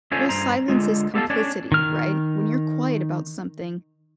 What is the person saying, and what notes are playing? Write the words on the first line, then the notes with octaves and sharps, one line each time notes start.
Well, silence is complicity, right? When you're quiet about something,
C#4 D4 F4 A4 C5 G#5
G2 C5 A#5
D3 G#3 F4
B3 G4 A4 C5 F5 A5
C#4 D4 C#5 D5
D#3 F6